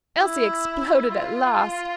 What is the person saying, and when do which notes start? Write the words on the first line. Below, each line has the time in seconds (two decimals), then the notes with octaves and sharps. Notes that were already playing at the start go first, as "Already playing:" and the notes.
Elsie exploded at last.
0.18 E4
1.11 F4